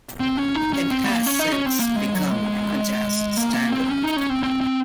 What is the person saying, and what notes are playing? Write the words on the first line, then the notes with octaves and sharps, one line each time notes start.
It has since become a jazz standard.
C4
C#4
D#4
C#4
C4
G#3
A#3
C#4
D#4
C#4
C4
A#3
G#3
F#3
G#3
A#3
A#3
C4
C#4
D#4
C#4
C4
C4
C4